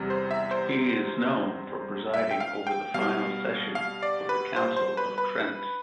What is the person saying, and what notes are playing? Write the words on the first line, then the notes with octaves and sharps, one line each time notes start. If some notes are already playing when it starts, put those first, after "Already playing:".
He is known for presiding over the final session of the Council of Trent.
Already playing: E2 C3 G3
C5
E5
C5
E5
G5
F5
G5
B2 G3 F5
F5
D5
B4
C5
C5
B4
B4